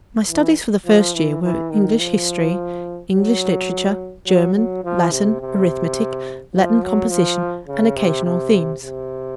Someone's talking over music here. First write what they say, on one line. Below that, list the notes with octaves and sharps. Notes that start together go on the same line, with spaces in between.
My studies for the first year were English history, English literature, German, Latin, arithmetic, Latin composition and occasional themes.
E3
F3
E3
E3
D#3
F3
F#3
F#3
F#3
F3
C3
C3
F3
F#3
F3
C#3
C3
C3
C3